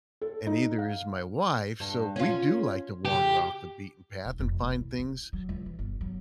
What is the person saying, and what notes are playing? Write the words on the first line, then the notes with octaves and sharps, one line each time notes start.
and neither is my wife, so we do like to wander off the beaten path and find things
A4
D#4
F5
G2
C#4 F4
C#3 G4
D1
F1
C2
E4
D#4
F#3
C#2
E3
G1
F#3